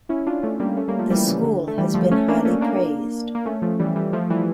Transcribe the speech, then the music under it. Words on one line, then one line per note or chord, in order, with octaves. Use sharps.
The school has been highly praised.
C#4 E4
D4 F4
A3 C#4
G3 A#3
A3 C#4
G3 A#3
F3 A3
E3 G3
C#3 E3
D3
A3
E3 G3
F3 A3
A3 C#4
A#3 D4
A3 C#4
A#3 D4
A#3
A3 C#4
F3 A3
E3 G3
E3 G3
F3 A3
E3 G3